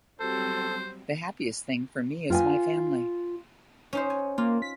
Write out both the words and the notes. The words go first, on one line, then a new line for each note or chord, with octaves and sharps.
The happiest thing for me is my family.
F#3 G3 C4 A4 C5
F4 G5 G#5
C#4 D#4 C5
G#5
A#3 F4
B6